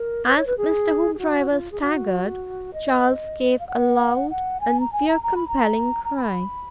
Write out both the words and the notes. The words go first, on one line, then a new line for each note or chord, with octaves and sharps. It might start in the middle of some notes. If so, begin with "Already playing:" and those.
As Mr. Hoopdriver staggered, Charles gave a loud and fear-compelling cry.
Already playing: A#4
B4
C#5
B4
G#4
G#4
F#4
F4
G#4
F#4
D#5
F5
F#5
F#5
G#5
A#5
G#5
A#5
A#5
B5
A#5
A#5
B5